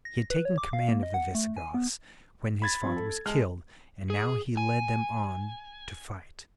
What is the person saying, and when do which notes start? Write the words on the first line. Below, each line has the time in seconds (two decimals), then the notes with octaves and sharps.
He had taken command of the Visigoths when his father was killed, and now he led them on to fight.
0.05 A#6
0.30 B4
0.45 C#5
0.58 D6
0.73 F5
0.89 A#3
1.03 D#5
1.14 F#5
1.35 A3
1.57 G#5
1.74 B3
2.62 B5 G#6 A6
2.83 F3 C4
2.96 A4
3.26 G#3 A5 F6
4.10 G#4
4.57 G#5